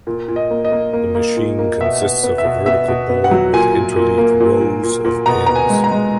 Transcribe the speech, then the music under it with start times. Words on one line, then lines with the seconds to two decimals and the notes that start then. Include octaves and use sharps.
The machine consists of a vertical board with interleaved rows of pins.
0.07 A#2
0.28 A#2
0.36 D#5
0.51 A#3
0.65 D#5
0.72 A#3
0.93 A#3
1.15 A#3
1.37 A#2
1.59 A#3
1.80 B2 E5
2.02 B2
2.23 B3
2.38 E5
2.45 B2
2.66 B3 E5
2.88 B2
3.09 B3
3.24 F#5
3.31 F#3
3.53 A#2 G#5
3.75 A#2
3.96 A#2
4.18 A#3
4.40 A#2
4.61 A#2
4.83 A#2
5.05 A#2
5.26 B2 A#5
5.46 B3 A#5
5.56 G#5
5.70 G#3
5.84 A#5
5.91 G#3